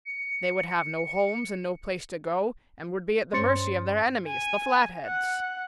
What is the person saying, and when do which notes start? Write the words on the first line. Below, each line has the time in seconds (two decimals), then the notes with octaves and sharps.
"They would have no homes and no place to go, and would be at the mercy of their enemies, the Flatheads."
0.05 C#7
3.33 G2 C#4 C5 C6 A6 C#7
4.26 G#5
5.05 F#5